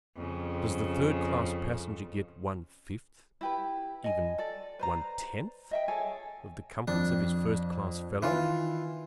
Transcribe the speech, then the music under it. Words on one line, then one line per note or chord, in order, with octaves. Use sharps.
Does the third class passenger get one-fifth, even one-tenth, of the comforts of his first class fellow?
F2 C#3
E4 G4 B4
D#5 G#5
A4 D5
B4 C5 A#5
D#5 E5 G5
G#4 A4 C#5 G#5
F2 D4
D#3 E3 F4